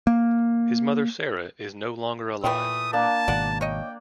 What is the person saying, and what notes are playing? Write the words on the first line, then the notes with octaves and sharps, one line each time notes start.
His mother Sara is no longer alive.
A#3
A#2 E3 A3 G5 D#6
A#3 D4 A5
G#1 B2 D5 F#5
C#5 D#5 G5